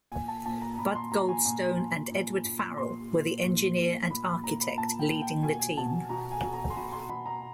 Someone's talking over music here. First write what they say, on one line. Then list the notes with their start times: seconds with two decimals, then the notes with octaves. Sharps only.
Bud Goldstone and Edward Farrell were the engineer and architect leading the team.
0.12 A#2 G#5
0.28 A5
0.46 A#2 A5
0.62 A#5
0.74 A#5
0.78 A#2 B5
0.95 C6
1.12 A#2 A#5
1.29 G#5
1.45 A#2 G#5
1.78 A#2
2.12 A#2
2.45 A#2
2.77 A#2 C6
3.11 A#2
3.44 A#2
3.78 A#2
4.10 A#2 B5
4.27 B5
4.44 A#2 A#5
4.61 B5
4.77 A#2 A5
4.99 G5
5.11 A#2
5.22 G5
5.43 B2 G#5
5.60 G#5
5.77 B2 A5
6.09 B2 A#5
6.32 G#5
6.43 B2
6.54 A#5
6.70 C6
6.76 B2 B5
6.92 C6
7.09 B2 B5
7.26 A#5